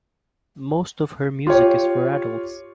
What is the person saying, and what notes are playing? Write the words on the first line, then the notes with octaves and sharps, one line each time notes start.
Most of her music is for adults.
F4 G4 C#5